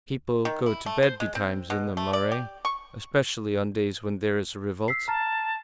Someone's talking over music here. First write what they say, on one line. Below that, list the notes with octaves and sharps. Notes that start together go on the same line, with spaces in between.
People go to bed betimes in the Marais, especially on days when there is a revolt.
D#3
E4
A3
C5
G#3
C4
B2
A3
D5
G4
C#6
E6 B6 C7
A5 A#5 F6 A6